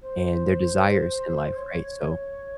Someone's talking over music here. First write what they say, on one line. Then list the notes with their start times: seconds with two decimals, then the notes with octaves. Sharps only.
and their desires in life, right, so,
0.01 C5
1.56 C#5